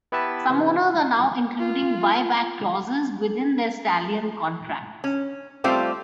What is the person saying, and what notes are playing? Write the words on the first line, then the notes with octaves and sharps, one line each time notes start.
Some owners are now including buy-back clauses within their stallion contracts.
B3 E4 G4 B4 E5 A5
C3 E3
F4
C#4
G3 A3 C4 F4 G4 C5